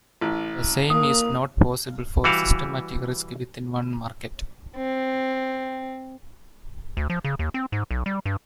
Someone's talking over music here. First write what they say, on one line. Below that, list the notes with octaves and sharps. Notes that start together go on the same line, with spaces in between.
The same is not possible for systematic risk within one market.
A1
A#3 D#6
E3 G3 F#4 G4 F5
C4
D2
F3
C#3
D#2
C4
G#2
B1
G3
G2